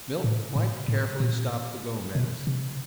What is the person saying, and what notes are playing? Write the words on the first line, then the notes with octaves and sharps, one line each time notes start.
Milt quite carefully stopped the Gomez.
A2
A2
A2
A#2
B2
C3